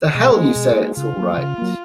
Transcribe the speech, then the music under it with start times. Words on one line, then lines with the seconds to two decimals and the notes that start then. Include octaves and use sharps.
The hell you say it's all right!
0.15 B2 G#3
0.35 A#3 D#4 F#4
0.56 B2
0.76 A#3 D#4 F#4
0.97 C#3 F4
1.17 F#3 A#3
1.38 C#3
1.58 F#3 A#3